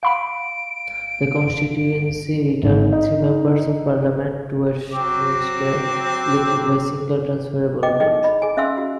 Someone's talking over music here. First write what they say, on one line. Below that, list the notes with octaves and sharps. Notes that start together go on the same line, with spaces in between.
The constituency returned three Members of Parliament to Westminster, elected by Single Transferable Vote.
F5 F#5 B5 C6 D7
G#1
D#4
F#3 C4 D6
D#5 G5 D6
D#4 G#4 D#5 G5
D#5 B5
G#4 G#5
C#4 E5 F5 C6 E6
F#4